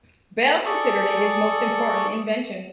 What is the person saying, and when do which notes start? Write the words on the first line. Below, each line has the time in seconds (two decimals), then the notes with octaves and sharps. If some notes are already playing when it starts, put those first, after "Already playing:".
Bell considered it his most important invention.
0.65 G#4 A4 D5 C#6